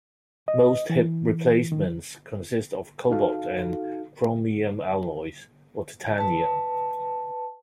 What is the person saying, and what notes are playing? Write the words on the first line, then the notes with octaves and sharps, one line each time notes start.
Most hip replacements consist of cobalt and chromium alloys, or titanium.
D#5
E3
D#3
D#4 F#4 A4 F5
B4 A5